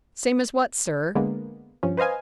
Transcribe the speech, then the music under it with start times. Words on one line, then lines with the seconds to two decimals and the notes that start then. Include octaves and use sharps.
"Same as what, sir?"
1.15 D3 G#3 A#3 B3
1.83 G2 F3 C#4
1.97 B4 C5 D#5 F5 G#5